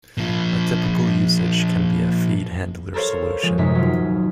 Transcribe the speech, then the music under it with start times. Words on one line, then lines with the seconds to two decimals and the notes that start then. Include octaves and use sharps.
A typical usage can be a "feed handler" solution.
0.18 A#2 F3
2.94 A4 A#4 C5 C#5 F5
3.43 F3 G#3
3.58 D#1 F#2 C3 G#3 D#4 B6
3.75 F#3 F4